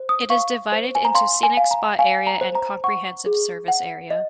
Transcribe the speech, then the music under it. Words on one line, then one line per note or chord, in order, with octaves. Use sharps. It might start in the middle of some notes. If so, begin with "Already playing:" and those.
It is divided into Scenic Spot Area and Comprehensive Service Area.
Already playing: C5
D#6
F5 C#6
C5
G#5
A#5
F5 C6
G#5
F5
A#5
F5 G#5
A#5
C5
A#5
F#5 C#6
G#4
F#5
D#5